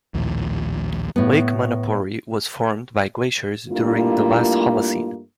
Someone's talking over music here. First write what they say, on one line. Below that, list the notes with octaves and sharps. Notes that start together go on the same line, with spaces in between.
Lake Manapouri was formed by glaciers during the last Holocene.
A#1 D#2 A2 F3
A2 B3
G2 A3 A#3 E4 F4